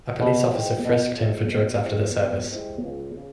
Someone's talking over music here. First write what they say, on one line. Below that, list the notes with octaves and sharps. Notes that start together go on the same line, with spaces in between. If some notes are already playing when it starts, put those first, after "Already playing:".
A police officer frisked him for drugs after the service.
B2
G#3 C4 E4 G4
B2
G#3 C4 E4 G4
B2
G#3 C4 E4 G4
B2
G#3 C4 E4 G4
C#2
C#3